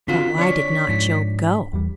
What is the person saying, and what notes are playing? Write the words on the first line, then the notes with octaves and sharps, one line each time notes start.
Or why did not Job go?
D3 C4 F4 F#4 B6
D4 C#5
G#2 F3
E2 G3